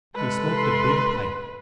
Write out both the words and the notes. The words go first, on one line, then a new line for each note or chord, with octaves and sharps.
He smoked a big pipe.
C3 G#3 A4 B4
C6